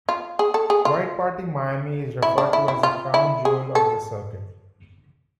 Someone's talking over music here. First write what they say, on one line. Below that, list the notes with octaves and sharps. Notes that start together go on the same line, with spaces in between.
White Party Miami is referred to as the Crown Jewel of the Circuit.
F4
G#4
A4
G#4
F4
E4
D4
E4
E4
F4
E4
G#4
A4